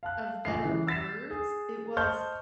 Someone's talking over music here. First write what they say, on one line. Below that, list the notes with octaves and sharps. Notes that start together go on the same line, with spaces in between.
of better words, it was
F5 A5 F#6
A#1 C7
E3 C#4
E6 A6 B6 C7 E7
G#4
C5 D#5 A5 C#6 F6 G6